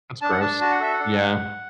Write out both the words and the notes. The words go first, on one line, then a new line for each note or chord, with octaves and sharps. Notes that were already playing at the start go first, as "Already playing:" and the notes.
That's gross. Yeah.
D4 A5
F#5
D4 A5
F#4 A5
F#5
A4 E5
F#5
D4